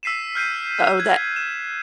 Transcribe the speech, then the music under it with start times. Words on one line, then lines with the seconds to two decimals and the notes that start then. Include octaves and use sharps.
Oh, that
0.03 E6 B6 C7 D#7 E7
0.35 F6 G6 C7 D#7
0.97 F#6 G#6
1.36 E7